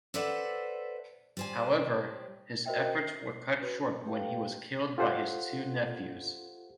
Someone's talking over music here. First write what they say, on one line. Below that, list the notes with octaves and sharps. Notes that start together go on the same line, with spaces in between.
However, his efforts were cut short when he was killed by his two nephews.
A4 B4 C5 D5 E5 F#5
G3 C5 G#5
F#4 A#4 C5 D#5 E5 G5
C7
F#4 B4
A3 G4 A4 B4 F5 G5
F4 G4 A4 C5 F#5